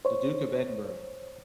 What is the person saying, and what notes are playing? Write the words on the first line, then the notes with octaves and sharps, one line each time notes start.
The Duke of Edinburgh.
C5 C#5